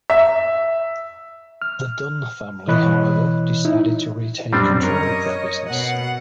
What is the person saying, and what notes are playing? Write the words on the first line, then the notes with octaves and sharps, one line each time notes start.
The Dunne family, however, decided to retain control of their business.
E5
F6
B2 E3 C#5 D#5 B5 F#6
D#4 E4
F#2 G3 C4 D4
A#4 C#5 D#5 A#5
B2 F#5